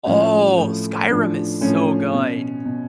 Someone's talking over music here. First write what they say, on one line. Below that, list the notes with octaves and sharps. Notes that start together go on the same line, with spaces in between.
Oh, Skyrim is so good.
A2 F3 C#4
A2 F3
A2 F3 D4
A2 F3 C#4
B2
B2